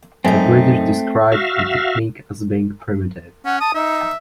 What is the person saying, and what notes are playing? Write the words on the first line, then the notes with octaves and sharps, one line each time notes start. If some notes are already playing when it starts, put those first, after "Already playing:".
The British described the technique as being "primitive".
F#2 A3 C4 D#4
F#4 E5 F5
C#4 F#5
A5 D#6
D#4 E5